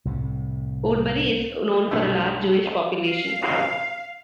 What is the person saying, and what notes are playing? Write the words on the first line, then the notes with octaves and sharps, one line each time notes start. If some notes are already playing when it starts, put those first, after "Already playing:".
Woodbury is known for a large Jewish population.
C2 A2 C3
B1 G2 A3
F5